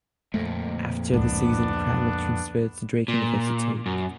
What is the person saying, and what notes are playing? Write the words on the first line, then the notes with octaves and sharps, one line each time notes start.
After the season Kraemer transferred to Drake University.
F2 A#2 A3
C#2 A2 B3 D4
A#2
F#2